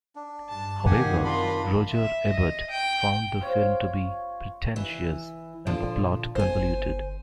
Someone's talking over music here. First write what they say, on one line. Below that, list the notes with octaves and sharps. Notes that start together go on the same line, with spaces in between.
However, Roger Ebert found the film to be pretentious and the plot convoluted.
D4
G2 A5
F#2 C3 D#3 A#3 G4 G#4 F#5 G#5
D4 F4 A#4 B5
E5
D#5
G5
F4 C5 C#5
E3
A#2 D3 F3
G1 C5 G#5